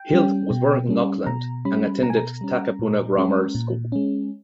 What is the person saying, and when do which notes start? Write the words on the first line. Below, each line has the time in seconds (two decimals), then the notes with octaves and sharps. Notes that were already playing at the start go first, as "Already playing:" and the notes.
Hilt was born in Auckland, and attended Takapuna Grammar School.
Already playing: G5
0.13 G3 C#4
0.51 B2
0.89 G3 C#4
1.26 B2 A#5
1.65 G3 C#4 B5
2.03 B2 A#5
2.10 G#5
2.17 A#5
2.41 G3 C#4
2.79 A#2
3.17 G#3 C#4
3.55 A#2
3.92 G#3 C#4